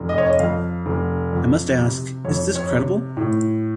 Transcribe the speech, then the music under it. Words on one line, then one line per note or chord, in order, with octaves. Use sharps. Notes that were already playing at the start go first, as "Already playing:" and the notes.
I must ask: 'Is this credible?
Already playing: F1
D#5
C#5
D#5
F2 F5
F1
F2
C3
F2 C#5
C#5
C3
A2